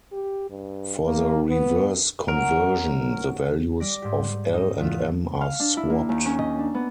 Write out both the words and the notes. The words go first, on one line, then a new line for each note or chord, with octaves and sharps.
For the reverse conversion, the values of L and M are swapped.
G4
G2
A#3
B3
F#3 A#4
G3 D5 A#6
G#2 G4
D#4
E2 F4
F5
D4
E4
A#3
D#2
C#4
D#5
D4
B3